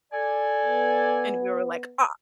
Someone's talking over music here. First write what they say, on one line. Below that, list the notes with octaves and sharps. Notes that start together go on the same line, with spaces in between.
And we were like, "Ah."
A4 D5 G#5
B3